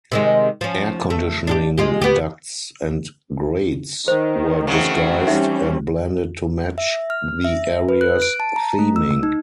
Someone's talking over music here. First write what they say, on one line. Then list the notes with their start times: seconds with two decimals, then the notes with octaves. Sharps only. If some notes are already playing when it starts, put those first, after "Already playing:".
Air conditioning ducts and grates were disguised and blended to match the area's theming.
0.12 C3 D#3 G#3
0.61 F3 C#4
1.10 A3
1.47 D4 F4 G4
1.78 G#3 F4 G4
2.02 B3 G4
4.08 D#3 C5
4.67 C#3 E3 F#3 A3 C4
5.27 G3 C#4 D#4 E5
6.78 E5
7.10 F6
7.44 E5
7.89 B4
8.01 F#6
8.22 D7
8.40 A5
8.56 A#5
8.79 A3
8.96 E6
9.23 D#4